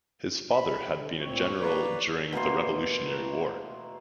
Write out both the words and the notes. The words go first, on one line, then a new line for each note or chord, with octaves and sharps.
His father had been a general during the Revolutionary War.
B5
D3
D2 A#2 C4 C#5 C#6
A#3 B4 D5
B2 A3 A#3 C6